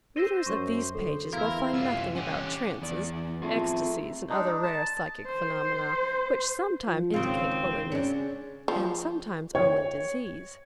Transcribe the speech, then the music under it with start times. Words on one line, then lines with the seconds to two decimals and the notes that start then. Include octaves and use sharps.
Readers of these pages will find nothing about trances, Ecstasies and other rare psychic phenomena; which sometimes indicate holiness, and sometimes only disease.
0.16 C5 E6 A#6 D#7
0.47 F#2 C#6
0.95 D2 A4
1.33 E2 E4 A#4 F5 C6 G#6
1.73 C2 F#2 F4 E6
2.15 C#4 G4 F#5
2.82 E2 D5
3.42 A3 C4 F4 G#4
4.29 G#3 D4 D#4
4.63 A5
5.26 C5
6.87 F3
7.14 G#1 C#3 C4 F4
7.92 C#3 C#4 D4
8.68 F3
9.55 C#5